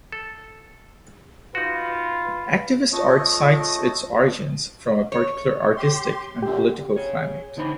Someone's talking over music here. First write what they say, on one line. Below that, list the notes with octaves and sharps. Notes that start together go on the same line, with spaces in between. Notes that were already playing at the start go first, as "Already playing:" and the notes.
Activist art cites its origins from a particular artistic and political climate.
A4
D#4 F4 F#4 B4
A3 F4 C#5 D#5
C#5
G4 C6
F#2 A#2 D3 G4 G5
G#4 C#5
D3 D#4 C5 B5